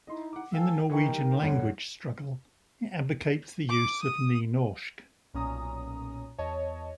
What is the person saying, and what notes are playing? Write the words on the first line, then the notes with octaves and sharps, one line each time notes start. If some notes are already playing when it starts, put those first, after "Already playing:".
In the Norwegian language struggle, it advocates the use of Nynorsk.
D#4 E4 D#5 C6
F#5 D6
A4 F5 G5 G#5 E6
E3 D#4 A#4 D#5 G5 C#6
G3
E2 G2 A3 C#5 F#5
D6
D#6
B1 A#2 C#4 A#5 D#6
E2 C#5 D#5 A5